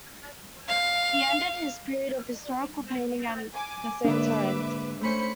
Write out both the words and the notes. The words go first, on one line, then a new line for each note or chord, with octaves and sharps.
He ended his period of historical painting at the same time.
F5
G#5 D6
G#2 D3 A#3 D4 B4 E5 D6
A3 C#4 C5 B5 C#7